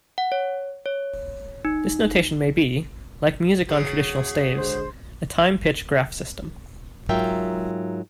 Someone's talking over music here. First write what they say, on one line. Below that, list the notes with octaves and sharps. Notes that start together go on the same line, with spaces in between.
This notation may be, like music on traditional staves, a time-pitch graph system.
F#5
C#5
C#5
D#4
C#3 F#3 G#4
D3 G#3 C5
G#2 F#3 F4 A#4 E5 G5